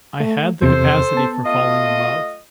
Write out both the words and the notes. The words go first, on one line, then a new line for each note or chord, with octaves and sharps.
I had the capacity for falling in love.
A3
E2 C3 A4 C5
B3 A5
A3 F4 D#5